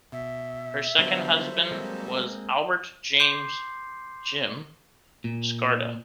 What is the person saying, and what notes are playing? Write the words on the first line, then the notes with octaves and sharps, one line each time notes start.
Her second husband was Albert James "Jim" Skarda.
B2 E5
D3 F#3 G3 B3 F4 A4 C5
G#3 A#3 C4
C6 D6 G6 C7
A#2